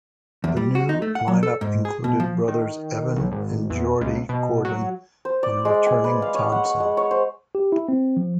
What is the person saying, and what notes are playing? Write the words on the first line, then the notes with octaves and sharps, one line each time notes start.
The new lineup included brothers Evan and Geordie Gordon, and a returning Thompson.
E2
G3
F#4
D#4
A3
F#5
F#3
A4
G#2
G#4
B2
F3
D#3
B1
G#1
E2
C#2
B2
F#3
C5
D5
G#3
G#5
B4
F5
C#5
F#5
C#6
G#3
C#5
C5
G4
E4
C4
F3